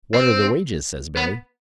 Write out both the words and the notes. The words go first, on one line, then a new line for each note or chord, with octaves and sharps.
"What are the wages?" says Billy.
C4
B3